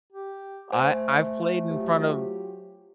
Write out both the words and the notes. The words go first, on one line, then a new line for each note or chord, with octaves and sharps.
I I've played in front of,
G4
A3 C5 G#5
F#3 F4 G4